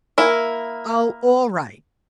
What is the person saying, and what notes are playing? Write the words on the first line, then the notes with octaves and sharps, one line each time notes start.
Oh, all right.
A#3 E4